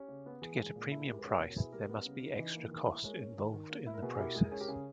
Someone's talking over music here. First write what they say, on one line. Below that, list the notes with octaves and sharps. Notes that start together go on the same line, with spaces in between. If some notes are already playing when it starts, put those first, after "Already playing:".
To get a premium price, there must be extra cost involved in the process.
Already playing: C#4 G4
C#3
B3
E3 G#4
G#3
A#2
E4
G#3 G4 A#4
G#4 B4
C#4
B4 D#5
B2 A#4 C#5
E4 G#4 B4
G3 G4 A#4
B3
C#3
D#4
E3 B4 D#5
A#3
D#3
E4
G#3 A#4 C#5
C#4
D#3
D#3
A#3
E4
A#4
B2 G#4 B4
G#4
E4 G4 A#4
G#3 G#4
A#4
C#4 G#4
G4 A#4
C#3 G#4